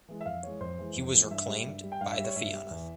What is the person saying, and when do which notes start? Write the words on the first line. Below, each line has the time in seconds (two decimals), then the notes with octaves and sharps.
He was reclaimed by the Fianna.
0.08 E3 G#3
0.21 E5
0.26 F2 F5
0.43 E3 G#3 C#5
0.60 F2 C5
0.78 E3 G#3
0.96 F2
1.13 E3 G#3
1.31 G2 E5
1.48 G3
1.66 G2
1.83 G3
1.92 G5
2.01 G2 F5
2.12 E5
2.18 G3
2.24 C#5
2.36 G2 E5
2.53 G3
2.71 E2